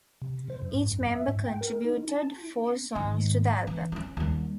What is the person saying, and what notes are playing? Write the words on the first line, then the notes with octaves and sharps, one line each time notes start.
Each member contributed four songs to the album.
C3
C5
F#2
G#2
F#2
E5
G#2
G5
A#4
D#4
A5
G#2 D#3
E3
B3 C#4
D#2 G3